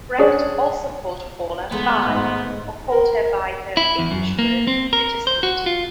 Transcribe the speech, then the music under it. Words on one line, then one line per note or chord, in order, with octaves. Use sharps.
Brecht also called Paula "Bi" or called her by the English word "Bittersweet".
C#4 D4 G#4 C5 D5
D#3 G#3 A3 B3 A#5 C6
G#2
A#4
E4
E2
F#2
A#3
C4
A#4
C5
F#4
F4